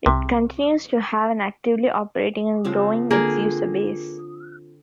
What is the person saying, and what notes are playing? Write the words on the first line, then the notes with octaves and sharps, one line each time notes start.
It continues to have an actively operating and growing its user base.
C2 C3
C#3 F3 C4
D3 A#3 C4 F4 G#4